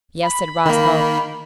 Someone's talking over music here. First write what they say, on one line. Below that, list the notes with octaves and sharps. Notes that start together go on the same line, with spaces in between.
"Yes," said Roscoe.
B5
D#3 A#3